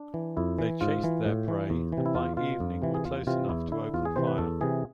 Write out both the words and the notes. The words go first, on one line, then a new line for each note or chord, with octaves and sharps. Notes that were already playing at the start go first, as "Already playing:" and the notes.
They chased their prey and by evening were close enough to open fire.
Already playing: D4
E3
F2 E4
E3
G#2 F4
E3
A2
E3
E2
E3
C3
E4
E2 F4
B2 F4
F2
C3 E3
G#4
E2 F4
C3 E3 F4
E2 E4
D3 E4
E2 F4
G#4
C3 E3 C5
B4
E2 A4
C3 E3 G#4